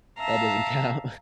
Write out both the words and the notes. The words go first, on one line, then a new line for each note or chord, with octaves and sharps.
that doesn't count.
E5 F5 A5 A#5